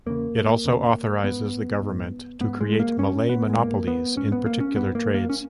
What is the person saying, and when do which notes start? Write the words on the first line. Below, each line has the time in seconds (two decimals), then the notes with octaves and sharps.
It also authorises the government to create Malay monopolies in particular trades.
0.06 E2 C#3 A#3
0.64 E2 C#3
1.23 G#2 B3
1.82 G#2
2.40 G#2 B3
2.61 G#3
2.80 A#3
2.99 G#2 C#4
3.29 B3
3.50 G#3
3.58 G#2 A#3
3.87 B3
4.17 G#2 C#4
4.32 B3
4.46 A#3
4.60 C#4
4.76 G#2 B3
4.95 A#3
5.14 A#3
5.30 C#4